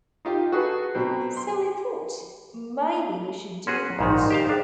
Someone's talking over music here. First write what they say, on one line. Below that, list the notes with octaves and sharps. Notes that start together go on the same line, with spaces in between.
So we thought, maybe we should do that.
D#4 F4 G4
F#4 G#4 A4 B4
B2 F#3 C4
C6
C#4 F#4 G#4 C6
A#1 G#2 D#3 D#4 A#5 C6
G4 C5 F5
D4 G#4 C5 G5